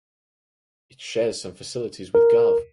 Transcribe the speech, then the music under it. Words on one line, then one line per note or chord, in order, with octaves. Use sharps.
It shares some facilities with Gov.
A#4